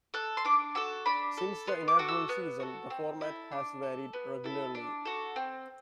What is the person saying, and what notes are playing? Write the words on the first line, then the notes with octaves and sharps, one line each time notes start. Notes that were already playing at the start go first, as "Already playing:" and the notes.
Since the inaugural season, the format has varied regularly.
A4 F#6
C6
D4 D6
F#4 A4 E6
D4 B5
A4
B3 C6
D6
F#4 A4
E6
B3 F#6
F#4 A4
C4
E4 A4
D4
A4
B3
E4 A4
D4
F#4 A4
C4